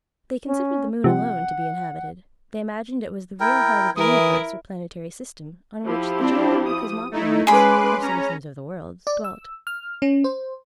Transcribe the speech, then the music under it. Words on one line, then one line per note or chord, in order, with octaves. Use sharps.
They considered the moon alone to be inhabited: they imagined it was the real heart of the universe or planetary system, on which the genuine Cosmopolites, or citizens of the world, dwelt.
C#4
C3 F3 F#5
E4 A#4 G5
E3 E4 A#4 D#6
F3 E4 G4
C4 D4
D#6
A3 D#4 E4
G#3 C#4 G#4 B4 B5 C6 D6
C#4 A#5
D5
E6
F6
C#4
C5